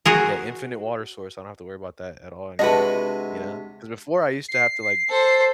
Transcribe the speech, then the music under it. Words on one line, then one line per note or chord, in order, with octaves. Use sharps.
yeah, infinite water source. I don't have to worry about that at all anymore, you know? 'Cause before I used to have to, like
F#4 G#4 A#4
C3 G#3 D4 F#4 B4 D#5
C7
A4 C5